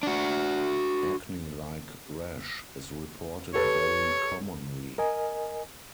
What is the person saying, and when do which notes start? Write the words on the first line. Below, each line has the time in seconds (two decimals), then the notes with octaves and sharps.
Acne-like rash is reported very commonly.
0.03 D4 F#4
3.54 G4 A4 B4 C#5
4.98 A#4 D#5 G#5